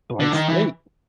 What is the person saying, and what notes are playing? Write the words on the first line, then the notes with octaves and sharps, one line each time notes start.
Blank slate.
D3
D#3
E3